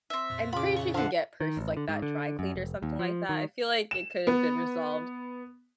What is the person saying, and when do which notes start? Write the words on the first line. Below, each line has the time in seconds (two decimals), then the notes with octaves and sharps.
I'm pretty sure you can get purses like that dry cleaned or something like that, I feel, like, it could've been resolved
0.10 C4 E5
0.30 F2 A#2
0.53 C#3 F4 B5 D6
0.76 C#6
0.94 D3 F3 F5 F#5
1.41 D#3
1.57 A1
1.77 D3
1.88 G#2
2.02 D3
2.39 F#2
2.55 F1
2.83 D#2
2.99 F3
3.29 D#3
3.91 E7
4.27 B3